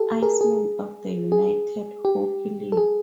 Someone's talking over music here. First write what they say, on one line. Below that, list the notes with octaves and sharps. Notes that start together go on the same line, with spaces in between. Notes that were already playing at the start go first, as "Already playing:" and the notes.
Icemen of the United Hockey League.
Already playing: G4 A4
G#4 A#4
G#4
G#4
G4
A4
G#4